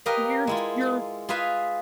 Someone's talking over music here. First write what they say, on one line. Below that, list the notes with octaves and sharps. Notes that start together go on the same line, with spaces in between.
you're you're
G4 A#4 B4 D#5 F5
G#3 E4 F4
F4 G#4 B4 E5 F5